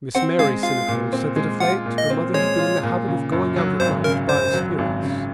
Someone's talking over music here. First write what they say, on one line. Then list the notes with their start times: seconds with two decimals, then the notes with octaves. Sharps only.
Miss Mary Sinico said that of late her mother had been in the habit of going out at night to buy spirits.
0.15 C4 F#5
0.39 G#3 F5
0.63 F4 F5
0.88 A#2
1.13 C4
1.36 G#3
1.60 F4 F#5
1.86 A#2
1.98 D#5
2.10 C4
2.34 G#3 C#5
2.59 F4
2.83 A#2
3.08 C#3
3.32 F#2
3.56 F#3
3.80 G#1 C5
4.04 C#3 A#4
4.29 F#2 C5
4.53 F#3
4.78 G#1
5.03 C#3